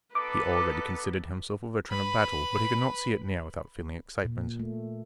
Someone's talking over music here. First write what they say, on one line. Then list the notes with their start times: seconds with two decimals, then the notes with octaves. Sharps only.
He already considered himself a veteran of battle, but he could not see it near without feeling excitement.
0.15 B3 D#4 A4 B4 D6
1.91 B4 B5
4.25 A#2
4.59 A3